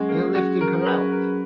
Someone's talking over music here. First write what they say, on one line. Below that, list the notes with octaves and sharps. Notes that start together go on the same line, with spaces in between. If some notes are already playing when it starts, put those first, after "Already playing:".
They are lifting her out!
Already playing: F#3 G#3 C#4 G#4
A#3
F#3 C#4 F#4 G#4
A#4
A#4
F#3 C#4 G#4 B4
A#4